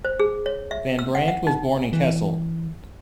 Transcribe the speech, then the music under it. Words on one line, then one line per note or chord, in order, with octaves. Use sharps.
Van Brandt was born in Kessel.
C5
G#4
C#5
E5
E6
F#5
F#5
D#4
E3